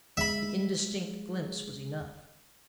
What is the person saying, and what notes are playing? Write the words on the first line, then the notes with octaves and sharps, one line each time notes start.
The indistinct glimpse was enough.
G#3 E5 B5